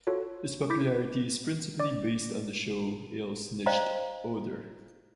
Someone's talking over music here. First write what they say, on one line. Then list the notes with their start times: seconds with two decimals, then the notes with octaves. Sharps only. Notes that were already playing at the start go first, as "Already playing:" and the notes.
His popularity is principally based on the shows Alles nichts oder?!
0.07 F4 F#4 A4 C#5
0.70 E4 D6 G6 B6
1.80 D5 D6
3.66 C5 D5 D#5 F5 G5 A#5